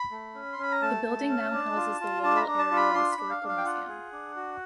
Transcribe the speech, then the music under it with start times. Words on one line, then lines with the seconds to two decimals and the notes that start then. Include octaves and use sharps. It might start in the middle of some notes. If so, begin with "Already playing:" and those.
The building now houses the Lowell Area Historical Museum.
Already playing: B5
0.11 A3
0.35 C#4
0.52 C6
0.58 C#4 B5
0.72 A#5
0.82 A3 A5
1.05 A3
1.29 C#4
1.53 D4
1.76 F4
2.00 F4
2.23 D4 A5
2.36 B5
2.41 A#5
2.47 D4
2.59 A5
2.71 F4
2.76 B5
2.94 D4 C6
3.12 B5
3.18 D4
3.30 F5
3.42 D4
3.48 F5
3.57 G5
3.65 F4 F#5
3.88 G#4
4.12 D4
4.36 F#4